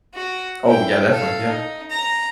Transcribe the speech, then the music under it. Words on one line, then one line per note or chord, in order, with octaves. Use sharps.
Oh, yeah, definitely, yeah.
F#4
E4 G5
A4 F5
D#4
A#5